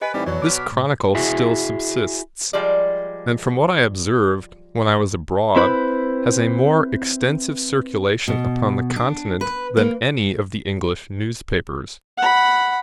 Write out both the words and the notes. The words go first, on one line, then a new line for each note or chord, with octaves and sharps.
This Chronicle still subsists, and from what I observed, when I was abroad, has a more extensive circulation upon the Continent than any of the English newspapers.
G4 B4 D#5 G#5
A2 E3 G3 C4 D#4
F2 B2 E3 F#3 D5 C#6
D6 F6 B6
A2
E4 F#4 G#4 E5
F3 G3 G#3 D5
C4 E4 B4 C5 B5
B2
D4
B4
A#3
F#5 B5